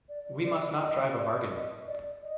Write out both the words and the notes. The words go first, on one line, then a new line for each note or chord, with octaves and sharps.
We must not drive a bargain.
D5
D5
D#5
D5
D#5
D#5
D5
D#5